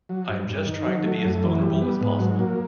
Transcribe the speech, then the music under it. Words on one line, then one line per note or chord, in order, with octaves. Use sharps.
I am just trying to be as vulnerable as possible.
F#3
G2
G2
D#3
F#3
A3
F#2
E3
G3
B3
G#2
F#3
A#3